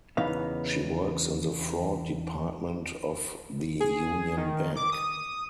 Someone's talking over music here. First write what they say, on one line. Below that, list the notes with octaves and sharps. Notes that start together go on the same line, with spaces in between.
She works in the fraud department of the Union Bank.
E2 C#3 E3 B3 D#4 F5
G#4
D#3
D6
D#6